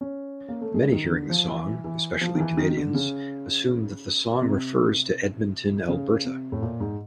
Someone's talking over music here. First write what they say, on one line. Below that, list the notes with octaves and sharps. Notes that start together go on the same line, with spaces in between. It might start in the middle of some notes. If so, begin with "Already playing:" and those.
Many hearing the song, especially Canadians, assume that the song refers to Edmonton, Alberta.
C#4
A#3
A3
G#3
D#3
D3
F3
E3
E3
F3
D#3
E3
D#3
D#3
D3
C#3
C3
C#3
C3
A2
A#2
G#2